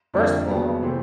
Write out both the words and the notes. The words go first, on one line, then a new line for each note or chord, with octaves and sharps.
first of all
F2 D3 G3 A#3
D#2 C#3 F#3 B3
C3 E3 A3 C4